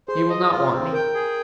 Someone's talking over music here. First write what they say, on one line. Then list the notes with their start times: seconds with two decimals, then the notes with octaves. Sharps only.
"He will not want me."
0.08 G#4 C5
0.29 D#5
0.51 F4
0.72 C4
0.93 A#4 G5
1.14 G#4